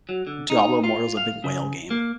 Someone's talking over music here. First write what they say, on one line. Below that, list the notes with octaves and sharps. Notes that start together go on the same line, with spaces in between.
Diablo Immortal's a big whale game
F#3
D3
D#4
F4
F5
C#3
A#3